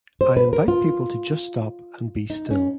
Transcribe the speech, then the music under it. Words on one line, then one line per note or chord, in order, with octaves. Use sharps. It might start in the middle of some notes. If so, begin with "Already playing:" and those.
I invite people to just stop and be still.
C5
B4
A#4
F4
D#4
C#4